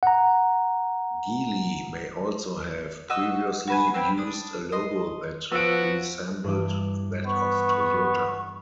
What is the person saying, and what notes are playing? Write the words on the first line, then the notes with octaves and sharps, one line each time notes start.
Geely may also have previously used a logo that resembled that of Toyota.
F#5 A#5
F#4 D#5 E6
F#4 B4 G#5
C4 B4 G5 G#5
D4 D#6
D#5 C6
F3 B3 F#4 E6 D7
G2 E3 D6
B3 C#6